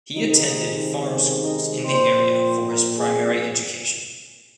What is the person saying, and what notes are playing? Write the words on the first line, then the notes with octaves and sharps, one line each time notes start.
He attended farm schools in the area for his primary education.
C3 D#3 G#3 C4 D#4
C#4
D#4
A#2 F3 C4 C5
A#4
G#4
G#4